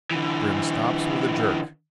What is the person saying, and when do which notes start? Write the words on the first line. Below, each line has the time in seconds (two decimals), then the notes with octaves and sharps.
Grim stops with a jerk.
0.11 D3 E3